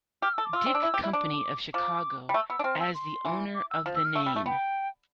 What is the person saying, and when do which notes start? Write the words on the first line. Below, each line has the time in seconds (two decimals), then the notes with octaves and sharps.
Dick Company of Chicago as the owner of the name.
0.22 G4 F6
0.34 A4 E6
0.45 D6
0.53 F4 E6
0.66 C4
0.75 D4
0.83 E4
0.94 G4
1.04 E4
1.13 D4 D6
1.74 F3 D6
2.29 G3
2.34 A3 E6
2.50 B3 E6
2.59 D4
2.64 C4 F6
2.80 E6
2.95 C6
3.25 E3
3.55 D6
3.71 E6
3.86 F3
3.96 E6
4.05 F6
4.15 A3 E6
4.26 G3
4.36 A3
4.46 B3 G5